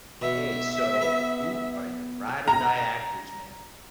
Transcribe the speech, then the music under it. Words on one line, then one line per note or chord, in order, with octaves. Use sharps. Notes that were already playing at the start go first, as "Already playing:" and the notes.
Hey, so who are your ride or die actors, man,
B2 E5
B3
A#5